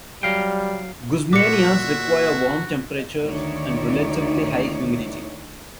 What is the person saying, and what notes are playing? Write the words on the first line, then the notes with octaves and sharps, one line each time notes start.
Guzmanias require warm temperatures and relatively high humidity.
F#3 G3 F5 G5
A#2 E4 F#4 E5 D6 C#7
D2 D#3 D#4 E4 C#5 D5